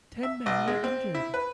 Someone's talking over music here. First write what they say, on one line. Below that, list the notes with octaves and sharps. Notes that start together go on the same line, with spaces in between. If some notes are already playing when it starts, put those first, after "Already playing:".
Ten men were injured.
E5
B1
G#3
C4
E4
B4